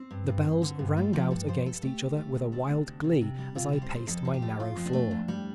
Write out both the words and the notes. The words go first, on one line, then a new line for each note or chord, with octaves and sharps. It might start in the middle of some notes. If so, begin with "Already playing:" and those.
The bells rang out against each other with a wild glee as I paced my narrow floor.
Already playing: C4
G2
G2
G2
D3
G2
A3 F4
F3 G4
G2 A4
F3 C5
G2 A4
A3 G4
D2
A3
D2
A3 D4
C3
D2
C3
C3
G3
C3 F4
G3 G4
C5
D2
C5
F2 A4
F3
G4
A3
F2 F4
F2
D4
A3
F2
G3